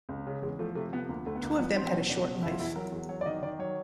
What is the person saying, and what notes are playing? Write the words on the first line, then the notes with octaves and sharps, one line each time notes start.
Two of them had a short life.
C#2
C#3
E2 G#3
F3 A3
C3 A3
F3 B3
D2 A#3
D2 A3
B3
D2 A#3
F3 B3
F#3 C4
C4
B2 C#4
C#2 D4
B2
E2 E4
F4
E2 E4
F#3 A#4
E2
F#3 C#5
D5
D#3 D#5
D#3 D5
F#3 C#5